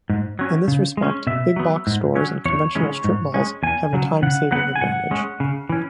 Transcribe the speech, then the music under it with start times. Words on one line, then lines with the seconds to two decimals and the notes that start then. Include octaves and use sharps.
In this respect, big box stores and conventional strip malls have a time-saving advantage.
0.10 G#2
0.39 F#3 C#4
0.68 C#3
0.97 G#3
1.02 C#4
1.27 B2 E5
1.56 F#3 B3
1.87 G#2
2.15 F#3 C#4
2.45 E2 C#5
2.75 C#3 E3 G#3 C#4
3.04 G#2
3.34 G#3 C#4
3.63 E2 G#5
3.93 C#3 F#3
4.22 C#3 F#5
4.51 F#3 B3 F#5
4.76 G#5
4.81 G#2 F#5
5.11 G#3 C#4
5.40 C#3
5.69 E3 C#4